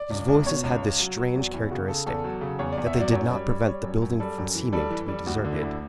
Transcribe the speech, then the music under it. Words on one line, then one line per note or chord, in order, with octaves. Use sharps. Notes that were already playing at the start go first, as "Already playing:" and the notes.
These voices had this strange characteristic, that they did not prevent the building from seeming to be deserted.
Already playing: D5
C#2
C#2
B2 C#5
C#2
C#2
F#3
F#3
E2
E2 E4
C#3 F#4
C#3 A4
E2 A4
F#3
C#3
E2 C#5
D5
E2
E5
F#3 D5
F#2 C#5
G3
G3
G3 C#5
F#2
F#2
G3 A4
F#2
E3
G3 A4
E3
G3
D2 F#4
D3
E4
D2